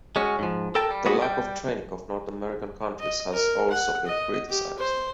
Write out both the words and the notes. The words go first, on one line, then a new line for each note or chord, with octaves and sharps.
The lack of training of North American countries has also been criticized.
G#3 C#4 F#4
G#2 F3
A4 A#4 G5 A5
G3
G3 A#3 B3 D#4 F#4 G#4
G3 G5
D#5
A#4
F#5
D#5
G4
C5